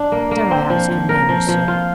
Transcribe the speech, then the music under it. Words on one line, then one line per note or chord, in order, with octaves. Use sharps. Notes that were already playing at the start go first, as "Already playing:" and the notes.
Dare I ask your name, monsieur?'
Already playing: D4
A#3
A#3
C4
F3
F3
A#4
F3
F3
F4